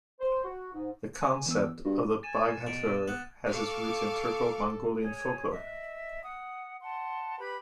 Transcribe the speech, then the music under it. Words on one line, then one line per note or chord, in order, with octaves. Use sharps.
The concept of the Baghatur has its roots in Turco-Mongolian folklore.
C5
F#4
G#2
G#5
E3 B3 E6
G2 F#4
G#5 A6 D#7 E7
B2 D7
B3 F#6
A4 F5 C#6 D6
G#4 C#5
D#5 E5
F#5 D#6
F#5 A5 C6
G4 B4 B5